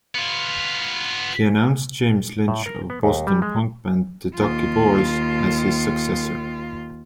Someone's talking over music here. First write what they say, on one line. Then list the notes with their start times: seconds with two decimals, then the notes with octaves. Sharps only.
He announced James Lynch of Boston punk band The Ducky Boys as his successor.
0.15 B3 F4
2.48 A2
2.66 A#4
2.90 B3
3.03 D#2
3.27 G3
3.42 G#3
4.34 D#2 F4